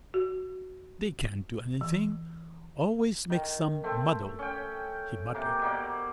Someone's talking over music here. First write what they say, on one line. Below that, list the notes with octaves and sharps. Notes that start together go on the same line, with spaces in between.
"They can't do anything... always make some muddle," he muttered.
F#4
E3
D#3
A3 C4
C#4 G5
C3 A#3
B2 A#3 D5